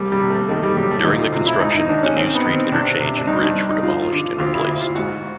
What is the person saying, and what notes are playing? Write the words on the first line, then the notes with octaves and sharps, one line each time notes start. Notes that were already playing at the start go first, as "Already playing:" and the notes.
During the construction, the New Street interchange and bridge were demolished and replaced.
Already playing: C2 G3
G3
C3
A3
D#3 A3
G3
F#3 G3
A3
D2 D#4
F4
C3 F4
E4
G#2 D#4
D#4
D#3 D4
C#4
D#3 C4
B3
D#3
C4
C3 D4
C3
D4
G2 D#4
D4
G2
D#4
F3 F4
F4
D3
D2 F4
E4
D2 E4
F4
G#2 F#4